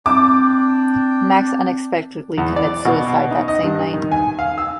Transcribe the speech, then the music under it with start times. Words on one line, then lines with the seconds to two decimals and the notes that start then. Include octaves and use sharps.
Max unexpectedly commits suicide that same night.
0.06 C4 D4 D5 G5 D6
2.38 E2
2.56 D5
2.85 B2
3.31 D#4
3.48 D#5
3.63 G2
3.93 D#3
4.12 G#5
4.39 F5
4.58 E6